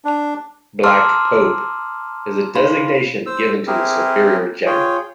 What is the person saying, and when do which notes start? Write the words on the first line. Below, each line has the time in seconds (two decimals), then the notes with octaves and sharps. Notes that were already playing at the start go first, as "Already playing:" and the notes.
"Black Pope" is a designation given to the Superior General.
0.05 D4
0.84 A5 A#5 C6 D6 E6 F6
2.55 D#4 G#4 C5 F5 B5 C6
3.26 C5 E6
3.67 C4 E4 G4 G#4 A#4
4.66 F4 G#4 C#5 G5